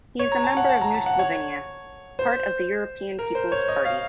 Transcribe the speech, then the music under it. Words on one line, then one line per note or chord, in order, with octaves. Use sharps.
He is a member of New Slovenia, part of the European People's Party.
C#5
A#5
A5
F#5
A5
A#5
A5
F#5
C#5
C5
A#4
C5
C#5
D#5
F5